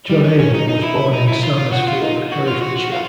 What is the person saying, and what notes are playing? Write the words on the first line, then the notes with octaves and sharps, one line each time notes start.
John Abel was born in Sarnesfield, Herefordshire.
G3
C#4
C#4
D#4
D#4
E4
D#4
E4
F4
F4
F#4
F4
D#4
F#4
F4
F#4
F#4
F4